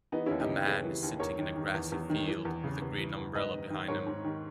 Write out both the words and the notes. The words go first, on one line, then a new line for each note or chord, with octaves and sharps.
A man is sitting in a grassy field with a green umbrella behind him.
E3 B3 D#4
D#2 C#4 E4
D#4 G4
C#3
D#2 G#4 B4
E3
D#2
E2 A#4 C#5
D#3
D#3
E2
E2
D#3
E3
E2
C#3
E2
E3
E2
G#2 B4 D#5
D#3
D#3
G#2 A#4 C#5
G#2
D#3